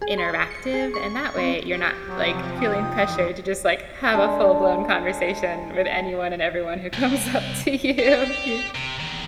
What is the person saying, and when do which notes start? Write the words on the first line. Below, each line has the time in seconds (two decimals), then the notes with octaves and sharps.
interactive, and that way, you're not, like, feeling pressured to just, like, have a full blown conversation with anyone and everyone who comes up to you you.
0.02 G#4
0.18 C6
0.51 C#7
0.74 G#4
0.94 C#6
1.38 C4
1.71 G4
2.07 C3 F3 F#3
2.58 D#4 F4 G5 D#6
2.91 F2 E3 G3
4.14 G#3 D4 A4
6.93 C2
7.99 G4
8.75 C3
9.00 E2 D#3